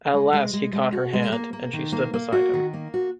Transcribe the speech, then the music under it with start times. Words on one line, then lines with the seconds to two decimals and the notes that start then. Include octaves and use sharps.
At last he caught her hand, and she stood beside him.
0.13 G#3
0.33 G#3
0.53 G#3
0.73 G#3
0.92 F#4
1.13 G#3
1.32 A#3
1.53 A#3
1.73 D#3
1.92 A#3
2.14 A#3
2.32 F#4
2.54 D#3
2.73 A#3
2.94 F#4